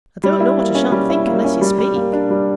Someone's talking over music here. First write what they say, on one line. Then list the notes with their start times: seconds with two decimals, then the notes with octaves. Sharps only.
I don't know what I shan't think unless you speak.
0.24 G3
0.40 E4
0.58 A#3
0.75 C#4
0.92 G3
1.10 E4
1.27 A#3
1.44 C#4
1.61 G3
1.78 G3
1.96 A#3
2.13 D4
2.30 G3